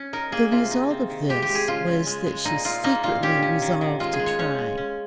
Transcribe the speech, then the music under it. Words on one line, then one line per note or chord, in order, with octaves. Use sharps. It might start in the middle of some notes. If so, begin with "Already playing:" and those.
The result of this was that she secretly resolved to try.
Already playing: C#4
D#4 A#4
A#3 G#4
C3 F4
D#4
C4
D#3
G#3 G4
G4
G#3
G#4
C#3 F4
C#3
G#3
G#3
A#2 D#4
A#2 F4
A#3 D#4
A#2 F4
C#4 G4
C#4
D#3
D#3
G#3 F4
G#4
G#3
C#5
C#4 C#5
G#3
C#4